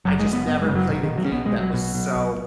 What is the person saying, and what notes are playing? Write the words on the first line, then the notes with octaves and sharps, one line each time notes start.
I just never played a game that was so
F#1 F#3
G#3
F#2
B3
F#1 B3
G#3
C#3
F#3
B2 D#3
D#3
B2
F#3
C#4
B1 B3
G#3
B1
F#3
B2
B2
B1